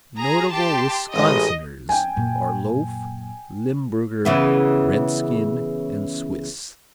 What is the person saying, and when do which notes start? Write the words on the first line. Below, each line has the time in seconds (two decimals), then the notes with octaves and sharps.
Notable Wisconsiners are Loaf, Limburger, Redskin and Swiss.
0.17 G#4 A#5
0.50 G4 A5 C6
1.14 A1 G#3 D#5
1.89 F2 G5 G#5
2.16 F#2 A#2
4.25 C#3 E3 B3